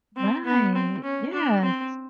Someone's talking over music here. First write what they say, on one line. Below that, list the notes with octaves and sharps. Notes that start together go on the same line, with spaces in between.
Right. Yes.
C4
B3
C4
C#4
D4
C4